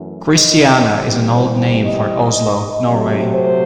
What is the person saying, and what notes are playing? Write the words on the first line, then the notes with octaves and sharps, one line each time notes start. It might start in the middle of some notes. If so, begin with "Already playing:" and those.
Christiana is an old name for Oslo, Norway.
Already playing: F#2 E3 A3
D#5
C3 E3 G3 C4
C5
D#5
C3 F#3 A3 C4
C5